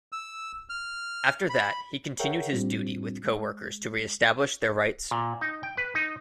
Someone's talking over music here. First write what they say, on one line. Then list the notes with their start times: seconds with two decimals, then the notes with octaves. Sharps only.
After that, he continued his duty with co workers to reestablish their rights.
0.12 E6
0.70 F6
1.49 B5
2.19 G#4 A#4 C#5 E5 F#5 G5
2.52 A2 G3 C4 D4 F4
3.24 G#3
5.11 A#2
5.41 D#4
5.63 G5
5.77 B4
5.95 D#4